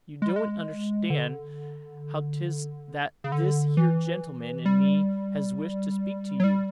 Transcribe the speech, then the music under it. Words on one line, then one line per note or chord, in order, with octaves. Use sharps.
'You doen't understand how 'tis that this here gentleman and me has wished to speak to you.
G#3
G3
G#3
D3
C#3
D3
E3
G3
F#3
G3